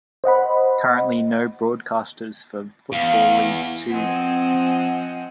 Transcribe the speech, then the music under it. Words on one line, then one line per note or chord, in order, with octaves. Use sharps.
Currently no broadcasters for Football League Two.
C5 D#5 F#5 B5
E2 F5
F3 C4 D#5 F#5 G#5